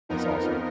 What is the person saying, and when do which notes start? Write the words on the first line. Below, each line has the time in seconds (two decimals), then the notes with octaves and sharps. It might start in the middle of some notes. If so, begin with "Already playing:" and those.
that's awesome.
0.09 F2 F3 B3 D#4 A#4